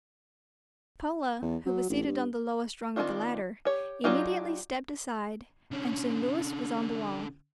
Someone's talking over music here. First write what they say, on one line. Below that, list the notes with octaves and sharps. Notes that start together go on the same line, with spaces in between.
Paula, who was seated on the lowest rung of the ladder, immediately stepped aside and soon Louis was on the wall.
E2
F#3
A1
G2
D#3 A3 C4 D4 F4
G4 C#5
F#3 D4 D#4 F4 G4
D3 C#4